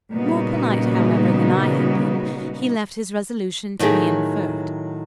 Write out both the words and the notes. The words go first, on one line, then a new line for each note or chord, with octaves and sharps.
More polite, however, than I had been, he left his resolution to be inferred.
A#2 C#3 G3 B3 D#4 F#4
A2 D#3 F#3 A3 G4 G#4